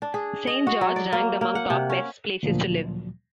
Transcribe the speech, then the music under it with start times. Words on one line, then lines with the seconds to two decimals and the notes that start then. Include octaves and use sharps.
Saint George ranked among top best places to live.
0.02 D4
0.14 G#4
0.47 D#5
0.67 F#4
0.81 F#3
0.96 D5
1.12 A#3
1.41 A#3
1.55 F#5
1.70 C3
1.90 C#4
2.43 D2 A#2 F3 F#3